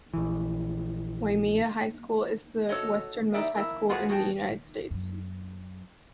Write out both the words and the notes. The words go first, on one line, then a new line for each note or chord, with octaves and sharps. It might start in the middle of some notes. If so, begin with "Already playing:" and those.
Waimea High School is the westernmost high school in the United States.
A#1 E3
F#4 A4 B4 C#5 D#5
D#4 E4 G4 A#4 D5 E5
F2 G#2 E4 A#4
B3 F4 F#4 G#4 B4 C#5
F3 F#4 G#4 C#5 G5 A5
F#2 F#3